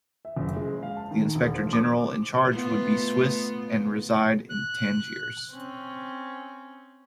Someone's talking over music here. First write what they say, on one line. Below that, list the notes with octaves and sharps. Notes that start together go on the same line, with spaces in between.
The Inspector-General in charge would be Swiss and reside in Tangiers.
E5
F#1
G#3
F5
A5
D#3
E1
F3
D6
A3 B3 F4
F#6
C4 C#4